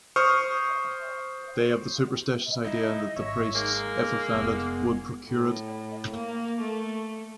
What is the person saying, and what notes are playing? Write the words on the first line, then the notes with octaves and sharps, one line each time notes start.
They have the superstitious idea that the priests, if offended, would procure it.
C5 C#6 D#6 F6
C#3 D#4 E4 D#5
G#1 C#5 E5
G#3 A#3 D#4
F1 B3
A2
A#3
A3